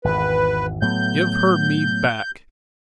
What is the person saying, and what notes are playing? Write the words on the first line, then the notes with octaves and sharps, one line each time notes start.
"Give her me back!"
G#1 E2 B4
A2 F#3 B3 G6